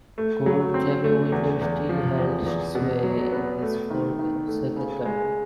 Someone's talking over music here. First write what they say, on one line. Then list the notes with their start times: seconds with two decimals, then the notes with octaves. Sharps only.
Cold, clammy winter still held sway in this forsaken country.
0.18 A3
0.46 F#3
0.74 C4
1.04 A3
1.32 E2
1.61 E2
1.89 F3
2.18 E2
2.46 E2
2.75 B2
3.03 F#3
3.32 B3
3.62 A3
3.90 D#3
4.19 D#3
4.47 A3
4.76 C#3
5.05 G#3